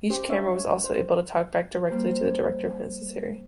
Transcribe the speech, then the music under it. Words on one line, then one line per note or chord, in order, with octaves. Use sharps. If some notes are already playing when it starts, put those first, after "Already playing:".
Each camera was also able to talkback directly to the director if necessary.
C#4 G4 C5
C#4 D4 C#5 E5 F5
C#5
C5
G3 A#3 G4 C5